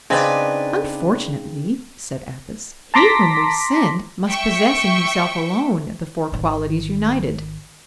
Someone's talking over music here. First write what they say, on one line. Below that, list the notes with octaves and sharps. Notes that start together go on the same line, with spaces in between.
"Unfortunately," said Athos, "he whom we send must possess in himself alone the four qualities united."
C#3 C4 D4 D#4 B4 D5
A5 A#5 C6 D6 A#6 B6
E5 G5 C#6
G#1 D#3